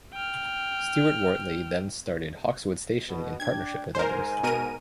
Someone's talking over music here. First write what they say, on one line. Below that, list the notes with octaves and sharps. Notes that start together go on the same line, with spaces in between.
Stuart-Wortley then started Hawkeswood Station in partnership with others.
G5 F6
B2
D4 G5 G#6
G#2 A#4 C5 G#5
B2 A#4 D#7